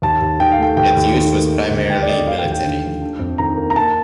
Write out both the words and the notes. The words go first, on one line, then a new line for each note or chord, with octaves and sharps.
Its use was primarily military.
D#2 A5
D#2
D#3 G5
F5
A3 G5
D#2 G5
D#2
D#3
A#3
D#4
D2
D3 G5
D5
A3 D#5
A3 F5
G5
D#2
G5
D3
F3
D4
F2
D#3 A#5
A#3
A#5
A#3 A5